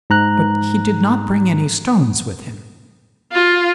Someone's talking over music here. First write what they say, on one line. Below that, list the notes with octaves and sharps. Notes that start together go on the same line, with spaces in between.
But he did not bring any stones with him.
G#2 A#5 F#6
F4